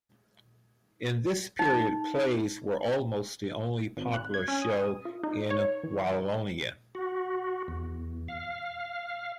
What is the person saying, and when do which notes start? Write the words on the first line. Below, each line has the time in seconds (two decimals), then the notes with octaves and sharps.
In this period plays were almost the only popular show in Wallonia.
1.59 D#4
3.97 G#1
4.14 F#6
4.34 G#6
4.48 C#4
4.62 D#6
5.05 F4
5.23 D#4
5.50 C#5
5.84 E3
6.95 F#4
7.68 E2
8.28 F5